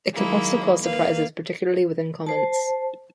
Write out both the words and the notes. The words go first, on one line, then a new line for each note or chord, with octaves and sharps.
It can also cause surprises, particularly within comments.
D#3 F#3 G#3 A#3 E4
D#2 A#3 B4 F5
C5 A5